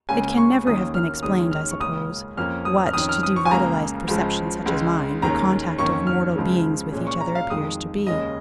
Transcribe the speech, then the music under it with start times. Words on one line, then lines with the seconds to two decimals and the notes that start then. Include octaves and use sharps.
It can never have been explained, I suppose, what, to devitalized perception such as mine, the contact of mortal beings with each other appears to be.
0.09 C#2 C#3 A#3 C#4 G#5
0.37 C#6
0.66 D#2 D#3 A#3 C#4 D#6
0.95 F6
1.23 D#2 D#3 G#3 C#4 D#6
1.51 F6
1.71 C#6
1.80 C#2 C#3 A#3 C#4 D#6
2.37 F2 F3 A#3 C#4 F6
2.65 D#6
2.87 F6
2.93 F2 D#3 C#4 D#6
3.09 F6
3.23 D#6
3.36 C#6
3.45 G#5
3.51 C#2 C#3 A#3 A#5
4.07 C#2 C#3 F3 G#3
4.65 C#2 C#3 G#3
5.22 D#2 D#3 G#3 C#4 A#5
5.78 F2 D#3 A#3 C#4 C#6
6.07 F6
6.35 C#2 C#3 F3 G#3
6.92 A#2 G#3 C#4
7.07 C#6
7.21 A#5
7.35 F5
7.50 F2 D#3 G#3 D#6
8.07 D#2 C#3 G#3 C#4 D#5